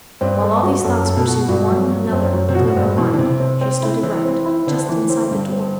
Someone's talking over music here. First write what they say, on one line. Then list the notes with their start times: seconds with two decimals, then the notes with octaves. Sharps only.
While all these thoughts pursued one another through her mind she stood erect just inside the door.
0.21 G2 C4
0.42 A4
0.63 F#4
0.84 F#2 A4
1.06 A4
1.17 B2
1.27 F#4
1.49 G2 F#4
1.70 F#3
1.91 F#3
2.12 F#2 C4
2.33 F#3
2.49 C3
2.55 B2 F#4
2.67 A2
2.76 G2 C4
2.97 B2 E3
3.13 D3
3.18 C3 C4
3.40 C4
3.61 C4
3.83 E4
4.03 E3 C4
4.25 C4
4.46 E4
4.67 D3 C4
4.89 E3
5.10 C4
5.31 G2
5.52 C4